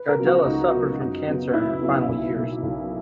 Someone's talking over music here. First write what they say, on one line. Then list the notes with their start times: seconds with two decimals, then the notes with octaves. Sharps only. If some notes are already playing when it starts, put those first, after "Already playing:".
Gardella suffered from cancer in her final years.
Already playing: B4
0.09 A#4
0.18 C#3 F#3 B3
0.26 F#4
0.45 C#2 D#4
0.72 C#3 F#3 B3
0.99 F#2
1.27 C#3 F#3 B3
1.54 F#2 E4
1.81 C#3 F#3 B3
2.08 B1
2.36 B2 A#3
2.63 B1